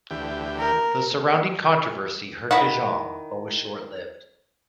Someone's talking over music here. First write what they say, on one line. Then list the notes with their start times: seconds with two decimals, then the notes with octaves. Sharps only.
The surrounding controversy hurt De Jong but was short-lived.
0.11 D2 E3 G4
0.58 A#4
2.51 D#3 E4 B4 F#5